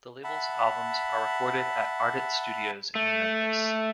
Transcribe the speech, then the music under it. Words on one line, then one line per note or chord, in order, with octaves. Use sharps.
The label's albums are recorded at Ardent Studios in Memphis.
E5 F#5 A5 B5
A3